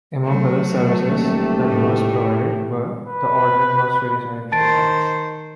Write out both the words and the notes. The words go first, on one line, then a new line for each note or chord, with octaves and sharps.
Among other services that was provided were the ordering of Swedish identity cards.
F#3 A3
D#1 G4
A2
B4
D#3 C5 A5 A6 D7